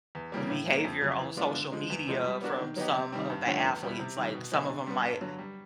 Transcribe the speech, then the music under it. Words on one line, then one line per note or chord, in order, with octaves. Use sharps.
behavior on social media from some of the athletes? Like, some of them might
E2
C#3 E3 G3 A#3
A2
F#3 A#3
F2
C#3 F#3
E3
G#3 B3 D4 F4
D3
F3 G#3
E2
C3 F3 G#3 B3
G3
B3 D4 F#4 A#4
D#3
F#3 B3 D#4 G4
C3
D#3 G3 C4
G2
D3 F3 A3 C#4
E2
B2 G3 B3 E4
C3
D#3 G3
B2
F#3 B3 D#4 G#4
D3
G3 B3
G2
D3 F#3
G3